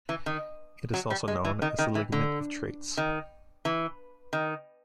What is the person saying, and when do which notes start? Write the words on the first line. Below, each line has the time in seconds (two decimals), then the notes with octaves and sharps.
It is also known as the ligament of Treitz.
0.09 E3
0.26 D#3
0.94 F#3
1.10 G3
1.28 G#3
1.45 E3
1.62 D#3
1.79 D#3
1.95 E3
2.12 D3
2.97 D#3
3.65 E3
4.33 D#3